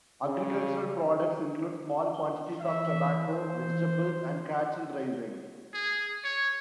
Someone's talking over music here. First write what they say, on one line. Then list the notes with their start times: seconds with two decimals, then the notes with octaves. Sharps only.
Agricultural products include small quantities of tobacco, vegetables, and cattle raising.
0.24 C#3
2.61 E3 E5
3.25 C5
5.74 G#4
6.24 C#5